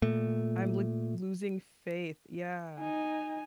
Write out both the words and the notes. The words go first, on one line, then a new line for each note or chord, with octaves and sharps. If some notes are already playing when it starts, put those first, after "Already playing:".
I'm, like, losing faith yeah.
A#2 A3
D#4 G#5